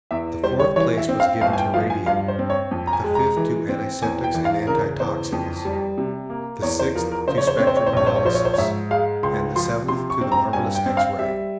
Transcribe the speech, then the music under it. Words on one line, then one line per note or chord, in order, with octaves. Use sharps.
The fourth place was given to Radium, the fifth to Antiseptics and Antitoxines, the sixth to Spectrum Analysis, and the seventh to the marvelous X-Ray.
E2 E5
G3 C5
C#5
E3 C#5
E5
C4
F5
G1 F5
G#5
G5
F3 F5
G#5
G2 F5
C5
C4
C#5
F2
A#5
G#5
G#3
A#5
E3
C4
E2 G#5
G5
E3
F5
C#3 A#4
E2 C5
F2
G3
C3
A#3
E2 C#5
C5
F3 A#4
A#4
C#3 C5
C#5
C5
C4 C#5
C5
C#5
C5
A#1 C#5
C5
C#5
F3 C5
C#5
C5
C#5
G#2 E5
G#3 F5
C#2 C6
F3 C6
C3 C6
C#6
C4
A#5
G2 G#5
G5
C4
F5
G3 E5